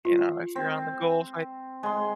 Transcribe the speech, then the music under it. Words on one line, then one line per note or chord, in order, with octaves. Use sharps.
You know, if you're on The Gulf,
F4
C4
G#3 C6